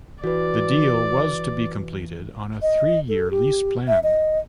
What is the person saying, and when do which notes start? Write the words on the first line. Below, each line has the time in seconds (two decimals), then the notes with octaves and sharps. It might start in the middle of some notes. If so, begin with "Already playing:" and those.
The deal was to be completed on a three-year lease plan.
0.24 E3 F#4 B4 D5
2.62 D#5
3.09 A4
3.31 G4
3.88 E5
4.03 D#5